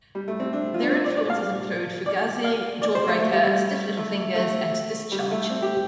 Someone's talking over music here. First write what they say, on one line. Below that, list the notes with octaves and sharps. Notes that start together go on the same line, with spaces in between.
Their influences include Fugazi, Jawbreaker, Stiff Little Fingers and Discharge.
G3
A3
C4
D4
F4
D4
C4
D5
D5
F5
D5
F5
D5
C5
A3
A3
G3
G3
A3
A3
G3
A3
C4
G4